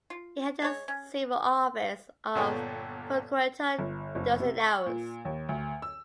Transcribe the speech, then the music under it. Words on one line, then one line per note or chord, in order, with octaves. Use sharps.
He held the civil office of Procurator ducenarius.
F4
G#3 C#5
C#4
G1 A#2 B3 A4 C#5 G5
G1
F#1
C3
C#6
A#2
D#2
D2
E6